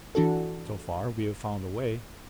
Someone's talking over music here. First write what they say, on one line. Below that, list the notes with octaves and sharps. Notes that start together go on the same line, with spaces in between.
So far we have found a way.
E3 D4 F#4 A4